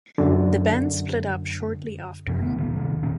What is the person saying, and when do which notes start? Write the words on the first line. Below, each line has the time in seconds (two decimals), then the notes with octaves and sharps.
The band split up shortly after.
0.18 F#2 D3
2.27 F#2 C3 F3 F#3
2.42 D2 B3
2.60 A#2 D#3
2.76 C3 D#3
3.03 D#2 A#2 D#3 C#4